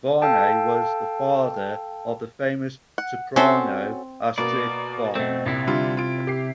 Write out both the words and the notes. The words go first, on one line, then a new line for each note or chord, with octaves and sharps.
Varnay was the father of the famous soprano Astrid Varnay.
A4 F5 G5 A5
F#5
C4 C#4 F#4 A4 C5
B2 A#3 D5
B2 A3 C4
A#1 C3 E4
D3 G3 F4
F4 D7
G4 C7